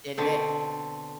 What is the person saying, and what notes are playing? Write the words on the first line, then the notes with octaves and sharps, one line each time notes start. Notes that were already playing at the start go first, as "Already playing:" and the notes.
Did it?
B2 D3 C4